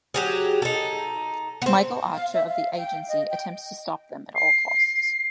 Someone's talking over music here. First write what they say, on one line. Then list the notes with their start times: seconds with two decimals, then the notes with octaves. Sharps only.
Michael Archer of the Agency attempts to stop them at all costs.
0.14 F#3 G4 G#4
0.62 D#4 A4
1.62 B3 C4
2.14 F5
2.33 E5
2.49 F5
2.78 G5
3.08 D#5
3.30 G5
4.35 C7